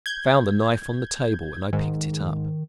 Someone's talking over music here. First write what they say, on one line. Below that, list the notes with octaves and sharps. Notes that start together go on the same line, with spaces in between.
I found a knife on the table and I picked it up.
G6 G#6
G#2 D#3